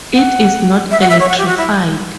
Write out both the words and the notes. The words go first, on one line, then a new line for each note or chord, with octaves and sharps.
It is not electrified.
F#5
E5
F#5
E5
C#5
F#5
G4
F#4
E4